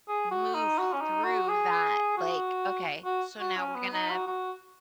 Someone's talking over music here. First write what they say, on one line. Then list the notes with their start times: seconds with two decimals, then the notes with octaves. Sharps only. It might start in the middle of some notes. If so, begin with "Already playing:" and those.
move through that? Like, "Okay. So, now we're gonna
0.08 G#4
0.31 F#4
0.55 D#4
0.78 F#4
0.93 C#4
1.01 D#4
1.24 F#4
1.48 G#4
2.18 F#4
3.05 F#4
3.40 F#4
3.57 C#4
3.75 B3
3.93 D#4
4.11 F#4
4.27 F#4